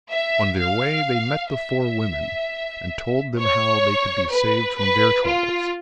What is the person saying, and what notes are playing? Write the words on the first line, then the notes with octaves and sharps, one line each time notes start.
On their way they met the four women and told them how they could be saved from their troubles.
E5
F5
E5
C#5
B4
B4
F4